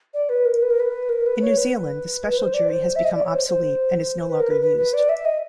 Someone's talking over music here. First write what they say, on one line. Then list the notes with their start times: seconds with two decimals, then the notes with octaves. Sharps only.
In New Zealand, the special jury has become obsolete and is no longer used.
0.14 D5
0.29 B4
0.45 A#4
0.62 B4
0.70 A#4
0.80 B4
1.09 A#4
1.26 B4
1.42 C#5
1.57 B4
2.30 B4
2.38 C5
2.54 D5
2.69 C5
2.96 E5
3.04 D#5
3.15 D5
3.24 C#5
3.34 C5
3.49 C5
4.29 B4
4.40 A#4
4.50 B4
4.61 B4
4.77 B4
4.94 D5
5.09 E5
5.25 D#5